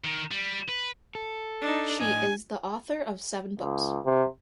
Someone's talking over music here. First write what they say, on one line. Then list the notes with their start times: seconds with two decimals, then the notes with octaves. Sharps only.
She is the author of seven books.
0.04 D#3
0.31 G3
0.69 B4
1.15 A4
1.61 D4 D#4
2.00 A2 D#5 G#5
3.59 C#2
4.05 C3